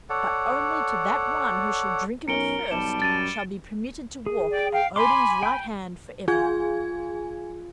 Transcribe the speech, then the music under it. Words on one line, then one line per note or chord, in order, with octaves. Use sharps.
But only to that one who shall drink of it first shall be permitted to walk at Odin's right hand forever.'
A4 C#5 D5 F#5
B1 C#4 A#4 C#7 D7 G7
B1 G3 A5 E7
F#2 A6 D#7
G#4
D5 G5
F5 G5
G#5 B5 C6 D6
G5 G6
F4 G#4 G#5 G#6